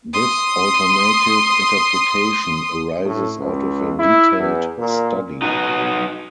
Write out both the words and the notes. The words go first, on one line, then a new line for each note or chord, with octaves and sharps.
This alternative interpretation arises out of a detailed study.
C6 D#6
A2
C#2
E4
E2
A#2
D#4 F#4 B4 D#5